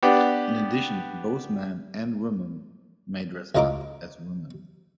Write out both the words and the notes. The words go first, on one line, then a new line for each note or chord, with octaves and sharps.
In addition, both men and women may dress up as women.
B3 D4 G4
C#2 A2 F4 D#5 A#5 D6